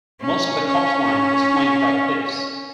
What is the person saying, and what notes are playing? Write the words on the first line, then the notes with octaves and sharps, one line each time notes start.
Most of the coastline is flanked by cliffs.
C#4
C#4